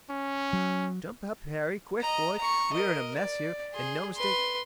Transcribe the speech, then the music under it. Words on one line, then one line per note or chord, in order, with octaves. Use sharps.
Jump up, Harry; quick, boy! we are in a mess here, and no mistake.
C#4
F#3
D#5 A#5
A#5 C#6
A#4 D#5
D5
G#4 C6
B4 C6